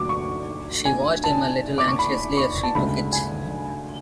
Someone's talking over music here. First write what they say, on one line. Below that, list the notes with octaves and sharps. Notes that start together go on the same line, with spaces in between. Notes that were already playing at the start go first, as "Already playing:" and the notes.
She watched him a little anxiously as she took it.
Already playing: D2 D3 F#3 D6
C#6
G#5
A5
D6
C#6
B5
C#6
A5
D2 C#3 G#3 B5
G#5